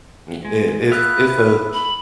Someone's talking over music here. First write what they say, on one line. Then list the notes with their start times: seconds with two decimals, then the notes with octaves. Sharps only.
m it it's it's a
0.45 G#3
0.92 B3 E5 F5 F#6
1.73 B5